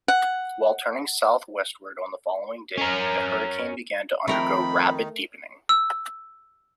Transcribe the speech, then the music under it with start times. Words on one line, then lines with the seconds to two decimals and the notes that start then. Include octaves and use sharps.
While turning southwestward on the following day, the hurricane began to undergo rapid deepening.
0.08 F#5
2.78 C#4 A#4
4.28 F2 D#3 A3 D#4 A#4 G5 B5
5.69 E6